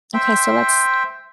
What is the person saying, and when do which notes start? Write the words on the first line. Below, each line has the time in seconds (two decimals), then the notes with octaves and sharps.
Okay, so let's
0.14 C5 E5 G5